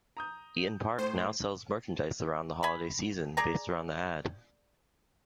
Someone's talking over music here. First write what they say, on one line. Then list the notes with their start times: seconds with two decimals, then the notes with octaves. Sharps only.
Eat'n Park now sells merchandise around the holiday season based around the ad.
0.17 A#5 D#6 G6
0.99 A2 C5 C6
2.63 G#5 B5
3.37 G#4 D5 G#5 A#5